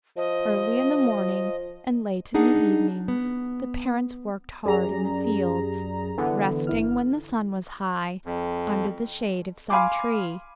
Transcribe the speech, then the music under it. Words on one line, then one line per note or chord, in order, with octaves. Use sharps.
Early in the morning and late in the evenings the parents worked hard in the fields, resting, when the sun was high, under the shade of some tree.
F3 D#5
D4 D#4 G#4 F#5
B3
F#2 G4 G#4 D5 A#5
D3 E3 B3
G1 E4 F6
F2
F5 G#5 B5 C6 D6